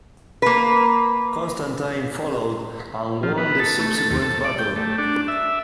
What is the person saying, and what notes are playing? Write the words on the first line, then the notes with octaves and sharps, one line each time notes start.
Constantine followed, and won the subsequent battle.
A#3 B4
F3
B3
A4
A3
A4
D#2
A4
D5
G5
A3
D4
E5